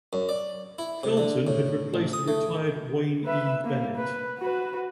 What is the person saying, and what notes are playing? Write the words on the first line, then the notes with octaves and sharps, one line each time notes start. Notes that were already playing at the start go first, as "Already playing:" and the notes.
Felton had replaced the retired Wayne E. Bennett.
F#2
D5
E4
C3
D3
A2
A1
D#6
A3
B4 E5
A#3
B4
F#4 B4